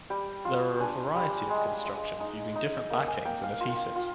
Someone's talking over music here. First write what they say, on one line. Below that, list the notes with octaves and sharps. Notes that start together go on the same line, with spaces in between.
There are a variety of constructions using different backings and adhesives.
G3 G5
F4
D4 G#5
G3
G#3
G#3
D#4
D#4
A#3
G#5
A#3 G5
F5
F4
F4